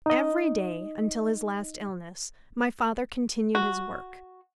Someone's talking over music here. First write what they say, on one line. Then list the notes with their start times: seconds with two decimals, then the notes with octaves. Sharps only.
Every day, until his last illness, my father continued his work.
0.06 D#4 D#5
3.55 F#4